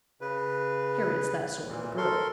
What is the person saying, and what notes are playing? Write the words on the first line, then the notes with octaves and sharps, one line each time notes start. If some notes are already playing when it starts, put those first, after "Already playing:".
Harriet's that sort of a girl.
C#3 B4
A#2 E3
A4 A#4 C6